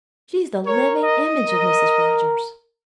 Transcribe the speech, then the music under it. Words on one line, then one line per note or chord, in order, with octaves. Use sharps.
"She's the living image of Mrs. Rogers."
A#4 C#5
D#5
A#4